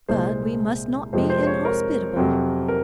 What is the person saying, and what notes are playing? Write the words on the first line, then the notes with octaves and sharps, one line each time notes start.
But we must not be inhospitable.
C2 A#2 G#3 C5
F2 C3 F3 G#3 C5
C5
C5
C#5
A#4
F2 C3 F#3
A#4